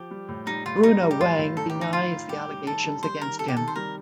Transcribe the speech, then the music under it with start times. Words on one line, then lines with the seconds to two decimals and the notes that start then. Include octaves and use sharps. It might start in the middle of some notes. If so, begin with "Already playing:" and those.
Bruno Wang denies the allegations against him.
Already playing: F3 G4
0.11 G3
0.28 A2
0.47 G3 D#4
0.66 A2 F4
0.83 G3 D#4
1.02 G3
1.11 G4
1.20 A2 F4
1.39 A2
1.57 D#3 A4
1.70 G4
1.75 D#3
1.81 D#4
1.93 D#3 F4
2.12 D#3
2.29 G3 G4
2.48 G3
2.66 D#3 A4
2.84 G3
3.03 G3 C5
3.21 D#3 A#4
3.39 C3 A4
3.48 G4
3.57 D#3 A4
3.68 C5
3.76 G3 A#4